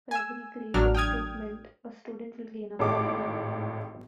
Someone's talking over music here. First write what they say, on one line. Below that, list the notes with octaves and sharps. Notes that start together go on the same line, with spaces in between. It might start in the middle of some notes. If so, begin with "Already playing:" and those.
For every grade improvement a student will gain a point.
G#5 E6
A1 F#3 D4 F6
G5 D#6 F6 G#6
G#1 A2 G4 D6